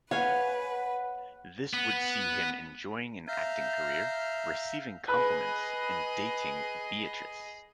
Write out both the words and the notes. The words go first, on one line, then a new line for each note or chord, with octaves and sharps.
This would see him enjoying an acting career, receiving compliments, and dating Beatrice.
B4 C#5 F5 F#5 G#5
B3
E5 F5 A#5 F6 G6
G#4 B4 D#5